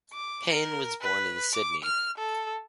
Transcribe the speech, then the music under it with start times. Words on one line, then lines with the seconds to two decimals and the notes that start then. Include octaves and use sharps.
Payne was born in Sydney.
0.13 D6
0.52 A#4
1.01 B4
1.53 D6
1.84 F6
2.18 A4